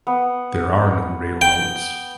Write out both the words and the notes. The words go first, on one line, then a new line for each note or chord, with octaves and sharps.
There are no railroads.
B3
G5